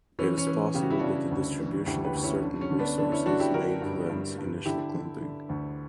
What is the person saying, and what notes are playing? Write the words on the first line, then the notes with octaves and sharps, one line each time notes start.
It is possible that the distribution of certain resources may influence initial clumping.
E3 C#4
C#4
E3
C#3 G4
F#4
E4
C#3 D4 F#4
D2
E3
D2 E4 G4
G4 B4
D2
C#4 E4
D3
C#4
D3
B3 D4
D3 B3 D4
C#4 E4
D3 D4 F#4
E4 G4
D3 F#4 A#4
G2
G2
G2
D3 E4 G4
D3
D3
D2